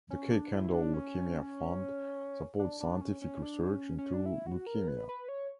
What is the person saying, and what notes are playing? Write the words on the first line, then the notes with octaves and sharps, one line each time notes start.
The Kay Kendall Leukaemia Fund supports scientific research into leukaemia.
C#4
D4
E4
D4
C#4
D4
D4
C#4
C#4
D4
C#4
C#4
D4
E4
F#4
A#4
B4
B4
C#5